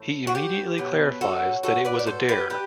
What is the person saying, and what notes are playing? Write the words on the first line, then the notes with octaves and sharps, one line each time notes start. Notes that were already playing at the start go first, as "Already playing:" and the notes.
He immediately clarifies that it was a dare.
Already playing: A2 E3
F#4
G4
B2 F#3 B3
F#4 A4
F#4 A4
B4 D5
D5
A4 C5
G4 B4
D4 G4 B4